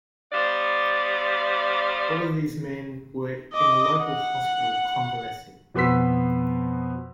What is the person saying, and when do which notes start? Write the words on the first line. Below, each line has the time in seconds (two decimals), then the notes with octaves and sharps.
All of these men were in a local hospital "convalescing".
0.32 G3 B3 C5 D5 F5
3.53 D#5 D6
4.04 F#5
5.74 F2 B2 B3 C6 E6 B6